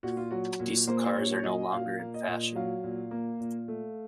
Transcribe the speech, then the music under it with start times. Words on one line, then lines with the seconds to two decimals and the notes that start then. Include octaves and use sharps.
Diesel cars are no longer in fashion.
0.03 A#2 F#4
0.17 F4
0.31 F#3 F#4
0.60 A#2
0.87 A#3 C5
1.04 C5
1.16 A#2 C#5
1.39 C#5
1.43 F#3 D#5
1.72 A#2 F5
1.99 A#3
2.14 D#5
2.28 A#2
2.55 F#3 F5
2.84 A#2
3.11 A#3
3.40 A#2
3.68 A3